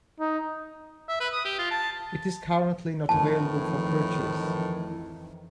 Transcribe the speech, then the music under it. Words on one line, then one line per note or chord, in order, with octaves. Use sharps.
It is currently not available for purchase.
D#4
E5
B4
D#6
G4
F4
A5
F2 A2 D#3 E3 A5